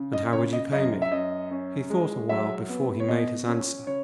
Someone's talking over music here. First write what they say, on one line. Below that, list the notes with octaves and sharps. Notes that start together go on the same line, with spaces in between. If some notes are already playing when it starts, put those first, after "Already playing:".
"And how would you pay me?" He thought a while before he made his answer.
Already playing: C#3
D#5
C#3 C#5
D#5
F#2 D#5
E5
F#2 D#5
C#4
G#3
F#3 E5
B3
C#5
B2 D#5
C#4
C#3 C#5